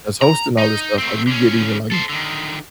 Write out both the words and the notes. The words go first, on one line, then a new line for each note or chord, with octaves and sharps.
that's hosting all this stuff, like, you get even, like,
A#5
D#4
A3 C4
D3 C#4
A4 C5
D3 D#3